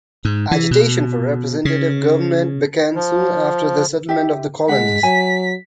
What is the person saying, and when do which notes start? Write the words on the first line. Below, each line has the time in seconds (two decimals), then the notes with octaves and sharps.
Agitation for representative government began soon after the settlement of the colonies.
0.25 G#2
0.51 E3
0.71 B2
1.65 C#3
2.95 F3
4.09 G4 E5
4.69 G#3 F#5 B6
5.03 F#3 G#5